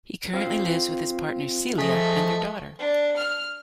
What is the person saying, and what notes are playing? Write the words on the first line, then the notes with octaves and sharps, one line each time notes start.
He currently lives with his partner Celia and their daughter.
C4 F4 F5
F3 A3 G#4 D#5
D4
F6